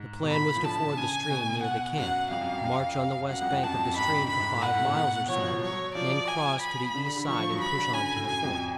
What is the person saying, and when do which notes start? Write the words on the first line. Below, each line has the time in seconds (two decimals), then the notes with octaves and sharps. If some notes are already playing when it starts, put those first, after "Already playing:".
The plan was to ford the stream near the camp, march on the west bank of the stream for five miles or so, and then cross to the east side and push on to the fort.
Already playing: G#2
0.23 B2
0.31 A2 B5
0.56 F3
0.64 D3 A5
0.97 C#3 G#5
1.30 B2
1.63 F#5
1.97 F#2 F#5
2.30 F2 F5
2.41 F#2
2.52 F#2
2.64 F#2
3.29 F#2 F#5
3.41 F2
3.52 F2
3.63 F#2 A5
3.74 F2
3.85 F#2
3.96 G#2 B5
4.08 D3
4.18 C#3
4.30 B5
4.40 G#2
4.52 A2
4.62 F#5
4.73 A2
4.85 B2
4.96 B2
5.28 F3 C#5
5.36 F#3
5.43 F3
5.53 F3
5.62 F#3 C#5
5.72 F#3
5.95 F3 D5
6.28 G#5
6.62 B5
6.94 D3
7.06 D3
7.17 D3
7.27 F3 C#6
7.38 F3
7.50 F#3
7.61 F#3 B5
7.78 D3
7.94 C#3 G#5
8.16 A2
8.27 F#2 G#5
8.44 F2